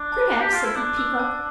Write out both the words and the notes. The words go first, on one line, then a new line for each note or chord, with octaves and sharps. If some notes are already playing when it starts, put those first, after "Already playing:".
"Perhaps," said the Peacock.
Already playing: D4
A5
A5
G4
F4 A5
E4
D4 E6
E6
A5